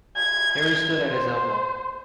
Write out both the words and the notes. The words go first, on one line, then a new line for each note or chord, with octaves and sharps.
Harry stood at his elbow.
G#6
C5